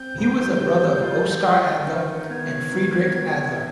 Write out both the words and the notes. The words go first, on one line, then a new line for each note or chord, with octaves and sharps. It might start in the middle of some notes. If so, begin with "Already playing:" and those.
He was a brother of Oskar Adler and Friedrich Adler.
Already playing: C4 G6
G#2
G3
F4
F4
D#3
B3 G#6
D#3
B3